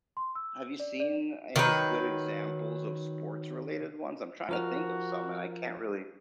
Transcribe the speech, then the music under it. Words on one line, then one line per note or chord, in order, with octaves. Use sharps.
Have you seen any good examples of sports related ones? I'm tryna think of some, and I can't really
C6
E6
D5
D5
D#3 F#3 B4
F3 F#4 A#4 F6